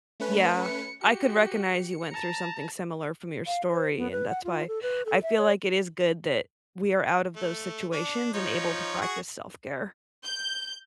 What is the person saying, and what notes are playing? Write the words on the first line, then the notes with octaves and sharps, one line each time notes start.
Yeah. I could recognize you went through something similar from your story, and that's why I feel like it is good that we are out of those situations and able to practice self-care.
A3 C#4 B4
C#7
F#4 G4 C#7
A5 A#5
F5
C5
B3
B4
F#5
F4
A4
B4
A4
E5
C#5
A3
D4
F3 D#4 C#5
F#4 G#4 C#6
G6